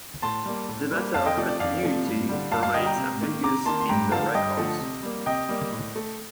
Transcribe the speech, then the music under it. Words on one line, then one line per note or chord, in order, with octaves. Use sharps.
The matter of continuity remains ambiguous in the records.
A2 A5 C6
G3 A#3
A2
G3 A#3
F2 F5 A5
D#5 G5
C3 F3 A3 D5
D5
F2 D5 F5
C3 F3 A3
G2
D3 G3
G2 F5 A5
F5 A5
D3 G3 D#5 G5
G5 A#5
C3
D#3 A#3
C3 A#5 D6
D#3 A#3 A5 C6
C6
G2 G5 A#5
D3 F3 A3 F5 A5
G2 D#5 G5
D3 F3 A3
C3
G3 A#3
C3 D#5 G5
G3 A#3
A2
A3